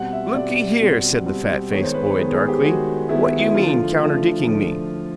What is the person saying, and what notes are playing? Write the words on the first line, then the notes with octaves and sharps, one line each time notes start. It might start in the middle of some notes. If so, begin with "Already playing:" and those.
"Looky here," said the fat-faced boy, darkly, "what you mean, counterdicking me?"
Already playing: B2 G3 C4 F#5
E5
B2 G3 C4 D5
B2 G3 C4
B2 G3 C4
D#3 G#3 B3 C#5
C5
B4
B4
D#3 G#3 B3
G#4
G4
D#3 G#3 B3 F#4
D#3 G#3 B3 E4
E4
E4
D3 F3 A3 F4
D3 F3 A3
D3 F3 A3